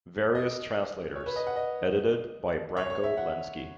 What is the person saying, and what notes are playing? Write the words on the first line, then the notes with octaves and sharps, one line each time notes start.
Various translators; edited by Branko Lenski.
D#5
C#5
B4
D#5
F#5
D#5
C#5
C#5
E5
F#5